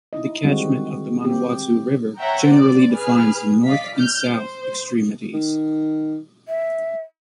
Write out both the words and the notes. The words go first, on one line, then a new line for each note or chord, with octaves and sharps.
The catchment of the Manawatu River generally defines the north and south extremities.
D#4 E4 D#5
D3 D#3 G3 G#3 C4 F#4
C4 G4
C#5 E5 F#5 G5 A#5
C5 D5
G#4 B4 F6
D5 D#5 F5 B6
F6 G6
C5
D#3
E5